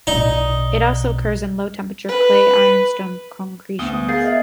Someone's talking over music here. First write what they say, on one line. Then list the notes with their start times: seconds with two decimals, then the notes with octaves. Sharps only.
It also occurs in low-temperature clay-ironstone concretions.
0.07 B1 B2 D#4 D5
2.09 B4
3.79 D2 B3 D#6 G7
4.08 G#4 A#4 F5 G6 A6 C7
4.24 D#5 E5